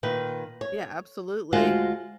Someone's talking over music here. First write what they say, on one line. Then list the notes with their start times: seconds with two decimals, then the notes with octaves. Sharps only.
Yeah, absolutely.
0.03 A#2 D#3 B4
0.61 C#5
1.53 D2 G#3 F4 F#4 C5 F#5